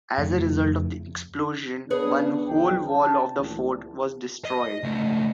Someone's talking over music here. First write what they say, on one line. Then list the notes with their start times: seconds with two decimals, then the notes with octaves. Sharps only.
As a result of the explosion, one whole wall of the fort was destroyed.
0.18 F2 C#3 A3
1.90 B3 D4 G#4 B4 C#5
2.47 B1 F2 G5
2.87 A5
3.37 D2 A#2 E3
4.45 D#5
4.83 C#2 A3